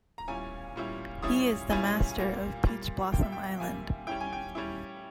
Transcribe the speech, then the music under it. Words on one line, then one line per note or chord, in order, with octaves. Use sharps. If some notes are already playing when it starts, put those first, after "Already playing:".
He is the master of Peach Blossom Island.
A#5
A#2 G3 C#4 E4 G#5
A#2 G3 C#4 E4
A#2 G3 C#4 E4 D#6
A#2 G3 C#4 E4 G#5
A#2 G3 A#3
A#2 G3 A#3
A#2 G3 A#3 G5
E5
G5
A#2 G3 A#3 G#5
G3 C#4 E4 G5
G#5
G5
G3 C#4 E4